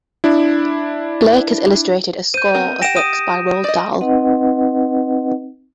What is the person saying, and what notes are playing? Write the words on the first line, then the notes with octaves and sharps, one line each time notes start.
Blake has illustrated a score of books by Roald Dahl.
D4 E4
C5 G6 D#7
B3 C4 A#4
G4 F#5 A#6 D7 E7
D#6 D#7
D5 D#5
C4 D#4 B4 D#5 F#5